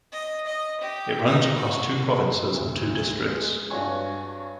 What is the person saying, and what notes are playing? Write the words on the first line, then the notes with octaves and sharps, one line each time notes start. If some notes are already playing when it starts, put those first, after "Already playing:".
It runs across two provinces and two districts.
D#5
D#5
G4
D#4
F#4
D2
G#3
G2 D4 F#4 C#5 G#5 C#6